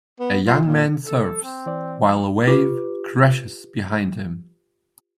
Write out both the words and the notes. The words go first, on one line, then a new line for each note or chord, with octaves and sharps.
A young man surfs while a wave crashes behind him.
B3
F4
A#2
A4
C4
E3 C5 D5
F3
F4 G4 B4 D6